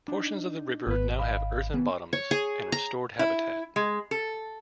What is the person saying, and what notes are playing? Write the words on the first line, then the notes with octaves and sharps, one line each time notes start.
Portions of the river now have earthen bottoms and restored habitat.
D4 D#4
G#1 B3 B4
D#5 F5 B5
D#3 B3
C#5
G#4
A#5
E4
G#3
A4